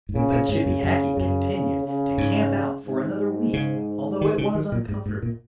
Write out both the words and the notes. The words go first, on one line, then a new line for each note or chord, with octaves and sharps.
But Chippy Hackee continued to camp out for another week, although it was uncomfortable.
G#2
A#2 C#3
A#2
G#2 C#3
F#2
F#2 C#3
F#2 C#3
C#3
C#3
G#2
G#2
C#3
D#3
C#3
D#3
A#2
G#2
G#2
A#2